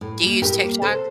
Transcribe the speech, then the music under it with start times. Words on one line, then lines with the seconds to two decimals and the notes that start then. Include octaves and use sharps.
Do you use TikTok?
0.01 A2
0.22 G3 A#3
0.42 A2 G4 A#4
0.62 G3 A#3
0.82 C3 A4 C5